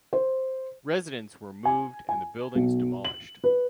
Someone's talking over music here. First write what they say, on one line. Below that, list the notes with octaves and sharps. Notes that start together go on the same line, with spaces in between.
Residents were moved and the buildings demolished.
C5
G#5
G#5
B1
F#7
B4